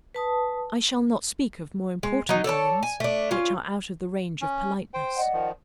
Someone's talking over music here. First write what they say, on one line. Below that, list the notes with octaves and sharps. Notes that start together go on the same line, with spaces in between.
I shall not speak of more important loans, which are out of the range of politeness.
B4 A5 D#6
G#3
F#3 D#4
A4 C#5 D5 A5
G#5
A3 D4
C#4 F4
C#4
C5 G5
D5 D#5 F#5
D#3 F3